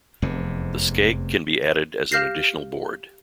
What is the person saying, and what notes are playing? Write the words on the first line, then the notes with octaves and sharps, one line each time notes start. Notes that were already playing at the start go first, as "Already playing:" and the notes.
The skeg can be added as an additional board.
F1 E2 C3
G4 F5 F6 G6 A#6 C7